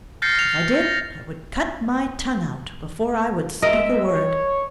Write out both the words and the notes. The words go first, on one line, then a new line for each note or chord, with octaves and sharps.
If I did, I would cut my tongue out before I would speak a word.
F6 G6 A6 A#6 C7 C#7
F7
A#6
G#3 A#4 D#5 E5
C#5